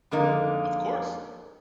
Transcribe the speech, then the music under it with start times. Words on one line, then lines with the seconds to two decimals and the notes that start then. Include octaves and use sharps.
Of course,
0.11 F2 D3 G#3 A#3 D#4